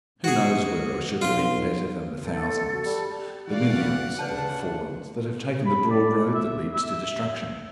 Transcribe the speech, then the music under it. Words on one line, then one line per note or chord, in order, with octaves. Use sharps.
Who knows whether I should have been better than the thousands, the millions, that have fallen, that have taken the broad road that leads to destruction.
F#4 G#4
B1 F4 C6
A4
F#4
G3
E3 F#4 D5 F5 F#5
C#3 D4 B4 D5 A5
B5
D5
E5
E5